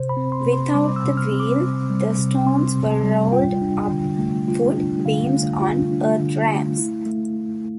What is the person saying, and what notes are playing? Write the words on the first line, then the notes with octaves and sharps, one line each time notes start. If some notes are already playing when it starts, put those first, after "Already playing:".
Without the wheel the stones were rolled up wood beams on earth ramps.
Already playing: C3 C5
B5
C4
C6
C3
C6
G3 D6
E6
C3
F6
C4
D6
C3
G3
C3
C4 C6
C3
A5
G3
F4 G5
D4
D3
A3
F4
D4
D3 F5
A3
F4
D4
D3
A3
E4
A3